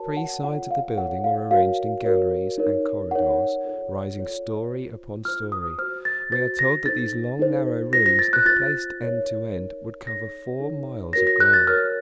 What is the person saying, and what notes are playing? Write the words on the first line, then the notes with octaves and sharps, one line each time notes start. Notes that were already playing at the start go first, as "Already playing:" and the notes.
Three sides of the building were arranged in galleries and corridors, rising story upon story; we are told that these long narrow rooms, if placed end to end, would cover four miles of ground.
Already playing: F#4 A#4 C#5 A5
F#5
F4 A4 C#5 F#5
F5
F4 A4 C#5 F#5
F5
F#4 A#4 C#5 F5
F#4 A#4 C#5
D#4 A#4 C#5
D#4 A#4 C#5 F#5
F4 A4 C#5
F4 A4 C#5
F4 C5
F4 C5 F6
D#6
F#4 C5 F6
A6
F#4 C5 A6
A#6
D#4 A4 C5 A6
D#4 A4 C5
F4 C5 A#6
A#6
A6
F#6
F4 C5 A6
D#4 A#4 C#5
D#4 A#4 C#5
D#4 A4 C#5 A#6
D#4 A4 C#5
F#4 A#4 C#5 A#6
A#6
F#6
A6
F#4 A#4 C#5 F6